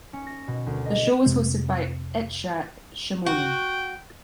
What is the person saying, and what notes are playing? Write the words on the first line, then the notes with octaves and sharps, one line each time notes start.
The show was hosted by Itzhak Shimoni.
C#4
A#6
B2
D2
D#5
F2 C3 G#3 C4
F#4 G5